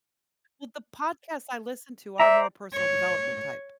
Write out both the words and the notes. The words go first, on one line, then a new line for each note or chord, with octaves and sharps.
Well, the podcasts I listen to are more personal development type
C5 D5 E5 A#5
C#5